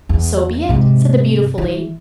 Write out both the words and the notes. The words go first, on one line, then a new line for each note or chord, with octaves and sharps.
"So be it," said the beautiful lady.
E2
G#2 C3
E3